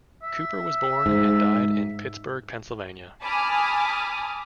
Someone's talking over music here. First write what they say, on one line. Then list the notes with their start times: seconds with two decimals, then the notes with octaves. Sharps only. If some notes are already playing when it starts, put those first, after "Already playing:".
Cooper was born and died in Pittsburgh, Pennsylvania.
0.23 E5
1.06 G#2
3.22 G#5 A5 B5 D6 D#6 F6